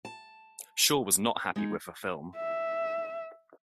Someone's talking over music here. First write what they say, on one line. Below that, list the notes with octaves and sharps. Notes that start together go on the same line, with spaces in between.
Shaw was not happy with the film.
A5
G#3 D#4
E5